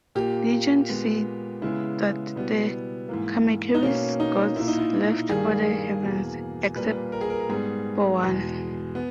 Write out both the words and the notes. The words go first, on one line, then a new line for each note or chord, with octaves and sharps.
Legends say that the Kamekeri's gods left for the heavens, except for one.
A#2 A#3 G4
A#2 G#3 B3
C#3 G#3 B3 E4
B2 G3 B3
G#2 E3 A#3
D#4
B2 A#3 C#4
D#4
A#2 A#3 E4
D#4
E4
G2 D#3 G3 A#3 G#4
E2 B2 A#3
A#2 G3 A#3 B4
A#4
G#4
A#4
A#4
G#2 G3 B3 G#4
E2 B2 G#3
B3